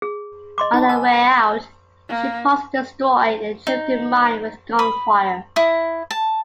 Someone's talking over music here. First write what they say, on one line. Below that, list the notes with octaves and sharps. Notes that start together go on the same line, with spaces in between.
On the way out, she paused to destroy a drifting mine with gunfire.
G#4
D#5 C6 D6
D#4 A5
G#5 A5 E6
A#3
D#4
B5 D#6
E4 D#6
A5